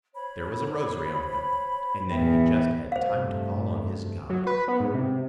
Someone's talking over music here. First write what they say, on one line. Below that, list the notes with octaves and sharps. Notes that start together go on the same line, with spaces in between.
"There was a rosary on him; and then he just had time to call on his God."
C5 C#5 B5
E2 G#4 E5 G5
G2 C3 A3 C5 F5
F#3
B4
B3
G#2
C3